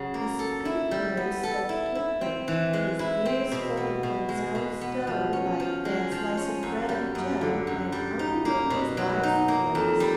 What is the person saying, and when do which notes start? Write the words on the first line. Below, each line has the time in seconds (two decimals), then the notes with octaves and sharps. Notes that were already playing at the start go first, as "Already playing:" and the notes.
His pink nose stopped twinkling, his ears folded themselves down like a slice of bread and jam, and Uncle Wiggily's eyes closed.
Already playing: C#3 F#3
0.14 A#3
0.39 A4
0.65 E4
0.91 G3
1.17 B3
1.43 A4
1.69 E4
1.95 E4
2.21 C4
2.48 E3
2.73 G#3
2.99 E4
3.25 C4
3.52 B2
3.77 B3
4.03 B2
4.29 G#3
4.55 B2
4.81 B3
5.07 F3
5.33 C#4
5.60 F3
5.85 G#3
6.12 F3
6.37 C#4
6.63 F#2
6.89 G3
7.15 F#2
7.41 D3
7.67 F#2
7.92 G3
8.19 D#4
8.45 A#3
8.70 B2
8.97 F#3
9.23 D#4
9.48 A#3
9.75 F2
10.00 G3